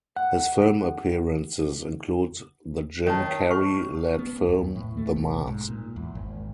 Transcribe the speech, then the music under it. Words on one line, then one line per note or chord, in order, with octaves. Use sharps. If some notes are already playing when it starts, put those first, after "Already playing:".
His film appearances include the Jim Carrey led film, "The Mask".
F#5
D#3 C#5 A5
C#6 F6
B3
D#2
A2
A3
B1
G#2
A#2
E2
G#1